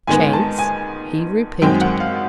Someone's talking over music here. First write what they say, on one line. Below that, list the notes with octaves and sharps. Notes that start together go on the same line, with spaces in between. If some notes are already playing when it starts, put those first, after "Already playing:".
"Chance?" he repeated.
G#2 D#3 G#3 B3 G#5
A5
G#5
F#2 D#3 G#3 C4 G5
F#5
F5